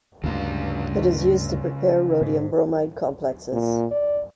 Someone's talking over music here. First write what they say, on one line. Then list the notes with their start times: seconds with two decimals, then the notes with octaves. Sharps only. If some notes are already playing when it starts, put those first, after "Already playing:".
It is used to prepare rhodium bromide complexes.
0.24 D2 G2 C#3 F4
2.21 G#2
3.52 A#2
3.91 D5